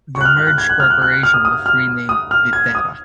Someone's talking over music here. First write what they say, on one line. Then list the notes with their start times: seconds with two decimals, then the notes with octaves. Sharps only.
The merged corporation was renamed Viterra.
0.15 C#6
0.21 F#6
0.25 F6
0.37 F#6
0.47 F#6
0.58 G#6
0.70 F#6
0.80 F6
0.90 F#6
1.02 F#6
1.12 F#6
1.23 F6
1.34 D#6
1.45 D#6
1.66 F6
2.09 D#6
2.31 F6
2.53 G#6
2.75 D#6